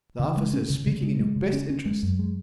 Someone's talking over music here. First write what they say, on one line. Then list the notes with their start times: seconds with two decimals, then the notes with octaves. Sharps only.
'The officer is speaking in your best interests.
0.19 C#3
0.37 G#3
0.53 C#4
0.70 C#3
0.87 C#3
1.03 G#3
1.20 G#3
1.36 C#3
1.53 C#4
1.70 C#4
1.86 G#3
2.03 F#2
2.19 G#3